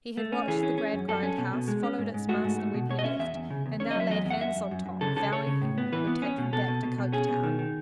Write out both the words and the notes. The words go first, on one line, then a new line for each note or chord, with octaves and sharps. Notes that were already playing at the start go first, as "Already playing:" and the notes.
He had watched the Gradgrind house, followed its master when he left and now laid hands on Tom, vowing he would take him back to Coketown.
A3
C#4
E3 G#4
C#4
C#4
F#2
F#2 A4
C#4
B2
B2
G#3
C#4
G#2
G#2
A3 F#4
G#2
A3
B2
B2 C#5
D#5
C#4 E5
E2 E5
E2
C#3
E2
C#4 C#5
D#5
F#3 E5
E2 D#5
E2
F#5
F#2 E5
F#2
F#2
F#2
C#3 A4
C#3 A4
C#3 C#5
C#3
A2
B3
E3 B4
B3
C#4
B2
B2 A4
B2
B2
B2
C#4 G#4
B2
D#3
D#3